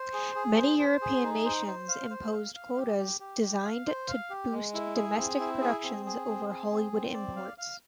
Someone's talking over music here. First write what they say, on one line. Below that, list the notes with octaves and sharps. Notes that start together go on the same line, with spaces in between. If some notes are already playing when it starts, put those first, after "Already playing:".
Many European nations imposed quotas designed to boost domestic productions over Hollywood imports.
Already playing: C5
G#4
G#4
C5
C5
G#4
D#4
C5
C5
F5
C5
F5
F5
G4
G4
G4
G4
F5
C5
F5
G4
G#3
E4
G#4
C4
E4
G#4
C4
G#4
C4
G#4
C4
C4
D5
F5
F5